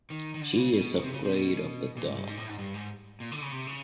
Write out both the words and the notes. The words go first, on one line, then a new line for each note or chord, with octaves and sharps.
She is afraid of the dark.
D#3
D#3
D3
C#3
B2
C3
C#3
C3
B2
A#2
G#2
G2
G#2
A2
G#2
G2
G#2
A#2
D3
C#3
C3
C#3